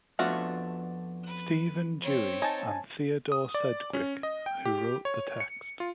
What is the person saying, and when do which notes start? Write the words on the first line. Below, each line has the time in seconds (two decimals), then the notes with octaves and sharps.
Stephen Dewey, and Theodore Sedgwick, who wrote the text.
0.19 F2 A3 B3 D4 F4 F#4
1.23 B4 F#6
2.02 C4 C#5
2.42 D#4 G#5 A5
3.32 D#6
3.54 D5
3.93 C#4
4.23 D#5
4.46 G5
4.65 G4
5.05 C#5
5.40 C#7
5.80 F4